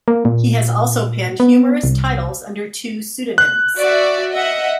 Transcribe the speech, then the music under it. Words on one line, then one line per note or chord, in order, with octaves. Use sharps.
He has also penned humorous titles under two pseudonyms.
A#3
A#2
B3
C2
F#6
F#4 D5 E5
D#5 E5 F#5